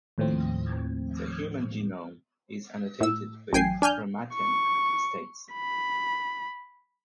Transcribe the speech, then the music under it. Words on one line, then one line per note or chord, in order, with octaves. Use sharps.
The human genome is annotated with chromatin states.
D#2 A2 F3 C4
A2 E6
A1 F#2 G5 G#5 C7
D4 G#5 F6 G6
C#6
B5